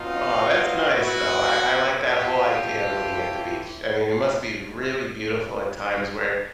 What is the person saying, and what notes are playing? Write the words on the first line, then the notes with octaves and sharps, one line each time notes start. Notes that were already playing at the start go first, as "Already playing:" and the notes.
Aw, that's nice, though, I I like that whole idea of living at the beach. I mean, it must be really beautiful at times where,
Already playing: B2 F#3 D#4 F4
B2 F#3
E4 F#4
B2 F#3
F4 G4
A2 E3